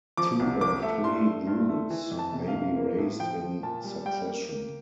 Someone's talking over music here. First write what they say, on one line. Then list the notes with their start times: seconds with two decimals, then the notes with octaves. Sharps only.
Two or three broods may be raised in succession.
0.17 F3 D6
0.39 C2
0.61 F3 D6
0.82 A3
1.04 G2 C6
1.25 A3
1.47 G2
1.69 A3
1.90 E3
2.11 F2
2.19 A5
2.33 C3
2.48 F5
2.55 F2
2.76 A#3
2.98 A2
3.20 F3 G5
3.41 F3
3.63 A#2 A5
3.84 G3
4.06 G3 G5
4.28 A#3
4.49 A#3